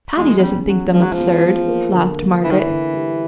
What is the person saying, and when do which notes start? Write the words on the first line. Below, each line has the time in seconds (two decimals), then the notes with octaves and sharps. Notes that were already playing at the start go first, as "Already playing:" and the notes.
"Patty doesn't think them absurd," laughed Margaret.
0.17 E2 G#3
0.38 G#3
0.42 G3 C#4
0.67 F#3 C#4
0.92 F3 G#3
1.02 F#3
1.13 E2 F3
1.43 E2
1.68 A#3
1.93 D3
2.19 A#3
2.43 D3 E3
2.50 D#3
2.59 E3
2.69 D3
2.94 G3